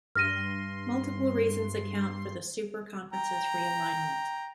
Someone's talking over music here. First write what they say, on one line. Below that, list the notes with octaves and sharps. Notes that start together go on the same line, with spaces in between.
Multiple reasons account for the super conferences realignment.
G2 C6 F6 A#6 D#7
G5 A#5